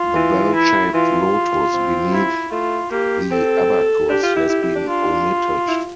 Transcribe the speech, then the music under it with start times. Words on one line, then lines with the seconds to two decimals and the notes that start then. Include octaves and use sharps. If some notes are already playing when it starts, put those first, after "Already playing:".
The bell-shaped lotus beneath the abacus has been omitted.
Already playing: F4
0.15 E3
0.55 E4
0.94 E3 F4
1.73 C4
2.12 E4
2.52 A3 F4
2.91 A#3 G4
3.31 C4 A4
4.10 D4 G4
4.23 F4
4.36 E4
4.49 E4
4.62 E4
4.75 D4
4.88 F4
5.68 E4